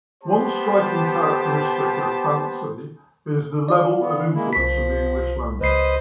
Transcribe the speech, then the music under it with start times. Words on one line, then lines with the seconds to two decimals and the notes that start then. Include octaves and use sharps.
One striking characteristic of Fantse is the level of influence from the English language.
0.24 B3 G4 C5 A5
3.69 D5 F5
4.00 B3
4.34 G#3 A#3 E4
4.53 C2 F3 B6
5.61 C#2 B4 C5 D#5 C7